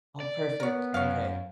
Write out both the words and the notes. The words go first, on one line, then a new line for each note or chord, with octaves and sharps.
Oh, perfect, okay.
D5
B3 A#4 C#5
F#2 C#5 F5